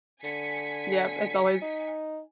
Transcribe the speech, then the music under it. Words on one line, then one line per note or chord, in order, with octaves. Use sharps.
Yep, it's always
D3 G#5 B6 C#7
D#4